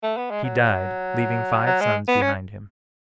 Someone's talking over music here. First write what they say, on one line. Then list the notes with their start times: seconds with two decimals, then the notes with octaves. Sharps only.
He died, leaving five sons behind him.
0.03 A3
0.17 B3
0.31 G#3
0.44 F#3
1.66 F#3
1.81 G#3
2.08 B3
2.21 C#4